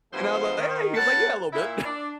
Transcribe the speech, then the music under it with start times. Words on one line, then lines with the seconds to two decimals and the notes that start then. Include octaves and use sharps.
And I was like, "Yeah." He was like, "Yeah, a little bit."
0.12 G2 F3 A3 B3 C5
0.58 D#3
0.96 G3 B3 C#5 F#5 A5
1.53 A#2 E4
1.84 D4